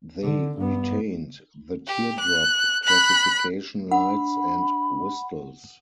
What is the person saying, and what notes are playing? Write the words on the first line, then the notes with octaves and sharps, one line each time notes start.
They retained the teardrop classification lights and whistles.
D3
G2 B3
G4
F#6
B5 F#6
D4 F#5 B5